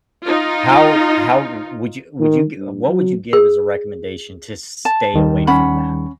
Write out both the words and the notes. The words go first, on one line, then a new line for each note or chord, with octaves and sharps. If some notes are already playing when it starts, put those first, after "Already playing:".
How how w would you would you gi what would you give as a recommendation to stay away from that?
D#4 F4
D#3
G2
F#3
G#4
A5
D#2 D#3 G3
C#4 F#5 B5